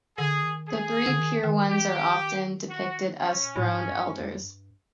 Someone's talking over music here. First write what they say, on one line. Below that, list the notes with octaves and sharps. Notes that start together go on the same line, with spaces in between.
The Three Pure Ones are often depicted as throned elders.
D3 G#4
D#3
G#4
D3
D#3
D#3
E3 G4
D#3
F#4
C#3 C#4
C3
A#2
A2
G#2
F#2
G2
F2
G2